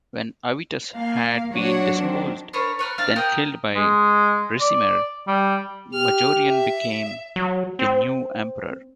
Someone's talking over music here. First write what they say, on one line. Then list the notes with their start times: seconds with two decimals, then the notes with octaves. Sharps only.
When Avitus had been deposed-then killed-by Ricimer, Majorian became the new emperor.
0.96 A#3 F5
1.54 F#3 D4 F#4 C#5 F#5
2.01 D#3 C4
2.53 D4 A#4 B4 C#5
2.79 A#4 B4 C#5
2.98 D4 F5
3.16 G4 A#4 D#5 F#5
3.75 G#3
4.61 D5
5.27 G3
5.94 G4 F6
6.48 E5
7.36 F#3
7.79 C4